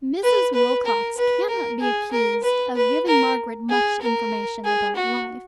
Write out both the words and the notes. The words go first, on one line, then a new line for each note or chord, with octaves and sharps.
Mrs. Wilcox cannot be accused of giving Margaret much information about life.
B4
B4
A#4
B4
A#4
G#4
A#4
B4
B4
A#4
G#4
A#4
G#4
F#4